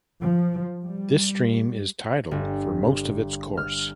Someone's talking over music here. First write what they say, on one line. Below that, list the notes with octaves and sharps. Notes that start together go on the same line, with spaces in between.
This stream is tidal for most of its course.
F3
G3
G1
F6